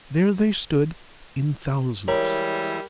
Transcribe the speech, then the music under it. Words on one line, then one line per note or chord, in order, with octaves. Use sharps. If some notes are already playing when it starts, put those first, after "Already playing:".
There they stood in thousands.
E3 G3 G#3 E4 A#4 C#5